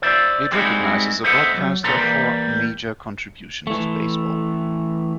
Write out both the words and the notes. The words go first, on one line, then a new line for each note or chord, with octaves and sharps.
It recognizes a broadcaster for "major contributions to baseball".
C5 D5 E5
G3 G#3 C4 D#4 E4 F#4
A4 C5 D#5 E5 F#5
B1 F#3
A#2 G3 A4 B4 A#5 C6
E3 G3 A#3
E3 A3